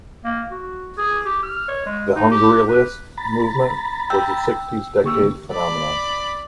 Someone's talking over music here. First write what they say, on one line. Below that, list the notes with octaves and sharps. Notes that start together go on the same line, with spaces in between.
The Hungryalist movement was a sixties decade phenomenon.
A#3
F#4
G#4
G4
F6
C#5
G#3
D#4
G4
B4
A#5 B5 A6
G5 E6
D3 A#3 G4 C#6 E6
D5 B5